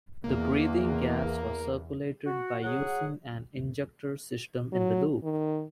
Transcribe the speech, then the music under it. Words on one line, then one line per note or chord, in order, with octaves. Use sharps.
The breathing gas was circulated by using an injector system in the loop.
E2 A#3
F#4
F#3 G#4 F#5
F#3
D#3